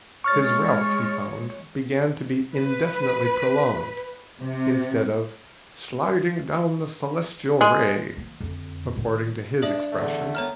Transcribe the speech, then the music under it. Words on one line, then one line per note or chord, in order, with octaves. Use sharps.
His route, he found, began to be indefinitely prolonged, instead of "sliding down the celestial ray," according to his expression.
G#3 C#5 C#6 F6 A6
B4
C3
G#3
E3 A#3
F2 D3
A2 D#3
G2 D4 E5 D#6 F#7
E2 D3 A3
D#2 B3 C#5 A#5 F6